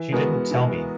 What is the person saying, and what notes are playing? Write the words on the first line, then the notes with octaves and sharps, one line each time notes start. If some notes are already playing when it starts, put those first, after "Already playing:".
She didn't tell me.
Already playing: E3
G#3 B3 F#4 A#4
E3